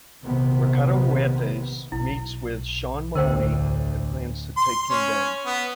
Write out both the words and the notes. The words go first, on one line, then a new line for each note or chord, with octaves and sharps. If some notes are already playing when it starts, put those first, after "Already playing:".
Ricardo Huertas meets with Sean Mahoney and plans to take him down.
A#1 C3 D#3 B3
B1 E4
D2 A2 D3 A#4 C5 G5
C6
C#4
B3